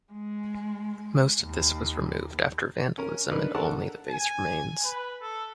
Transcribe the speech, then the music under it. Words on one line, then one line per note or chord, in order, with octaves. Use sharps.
Most of this was removed after vandalism, and only the base remains.
G#3
D#2
C#4 A#4
D4 D#4 A#4 B4
A4 A#4 F#5 A5
G#5
B4
A4